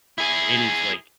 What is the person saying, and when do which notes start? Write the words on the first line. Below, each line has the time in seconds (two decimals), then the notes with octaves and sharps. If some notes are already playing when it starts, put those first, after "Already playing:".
it is, like,
0.18 E4 G#4